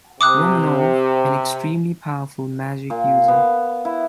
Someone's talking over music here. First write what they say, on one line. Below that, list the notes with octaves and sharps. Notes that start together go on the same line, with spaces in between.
Romanov, an extremely powerful magic user.
C3 D6 D#6 F#6
A#2
B3
E4